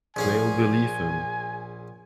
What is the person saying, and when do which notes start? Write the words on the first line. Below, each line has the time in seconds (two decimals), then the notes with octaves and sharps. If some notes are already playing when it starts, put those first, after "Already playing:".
They'll believe him.
0.16 A#1 C#4 G#4 G#5